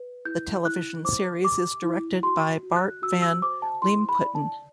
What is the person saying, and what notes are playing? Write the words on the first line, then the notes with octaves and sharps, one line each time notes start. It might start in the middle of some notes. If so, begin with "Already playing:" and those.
The television series is directed by Bart Van Leemputten.
Already playing: B4
E4 G6
E4 F#6
C5 D6
G4 D6
E4
F#4 C6
F#4
F#6
F#4 E6
E6
C5 D6
A5
E4 C6
B5
D5
A5